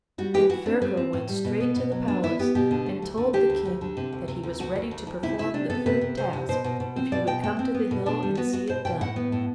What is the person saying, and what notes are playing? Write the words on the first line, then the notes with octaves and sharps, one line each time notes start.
Then Ferko went straight to the palace and told the King that he was ready to perform the third task if he would come to the hill and see it done.
G3 F#4
E3 G4
E3 F#4
C4 D4
G3 C4
C4
A2
G3
B2
B3
B2
F#3
B3 D4
B3 E4
B3 G4
B2 G4
D3
A3
D2
D3
D3 G4
D2
D2
D3
C3
D2
C3
D2
D2 F#4
D2
D2
D2
C3 E4
C3 E4
C3 D4
B3 A4
C3 B4
C3
C3 C5
C3
B2 C5
B2
B2
C4
B2 D5
B2 G5
A3 G5
C4
B3
B2
B2 D4
G3
B3 F#4
B3 F#4
B2 C5
B2 G5
A2 F#5
B3
A2